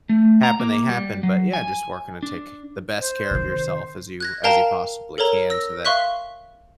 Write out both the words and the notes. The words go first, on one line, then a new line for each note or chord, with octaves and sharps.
happen, they happen, but yeah, just working to take the best care of yourself as you as you possibly can so that
A3
A#5
A#3
G3
F#3
G#5
D4
C5
C3 D#3
F#6 G#6 A#6
A#4 F5 G5 A5 A#5
A4 A#4 C#5 A#5
E6 A#6
E5 F5 C6 C#6 F#6 B6